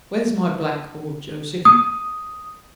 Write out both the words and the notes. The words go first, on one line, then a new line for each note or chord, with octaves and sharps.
"Where's my blackboard, Joseph?"
D#6